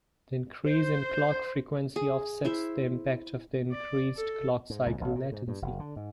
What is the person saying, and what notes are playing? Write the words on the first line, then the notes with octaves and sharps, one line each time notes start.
The increase in clock frequency offsets the impact of the increased clock cycle latency.
C5
G#4
E4 C5 E5
D5
A4
G#2
C#2
A1
A#2
G#2
G2
F#1
D3
G#2